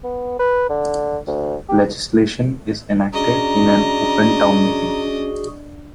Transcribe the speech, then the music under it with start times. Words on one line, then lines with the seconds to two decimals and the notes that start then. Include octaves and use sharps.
Legislation is enacted in an Open Town Meeting.
0.04 B3
0.39 B4
0.69 D3
1.27 D2
1.69 G4
3.13 C#4 D4 F#4 G#4 D#5 A#5